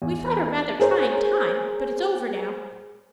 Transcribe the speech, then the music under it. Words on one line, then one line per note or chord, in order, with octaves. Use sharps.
We've had a rather trying time but it's over now.
E2
G#4 A#4 C5 C#5